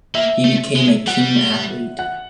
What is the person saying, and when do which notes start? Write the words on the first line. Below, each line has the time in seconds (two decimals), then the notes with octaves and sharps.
He became a keen athlete.
0.15 A#3 E5
0.45 A3
0.76 G#3
1.07 G3 F#5
1.99 F#5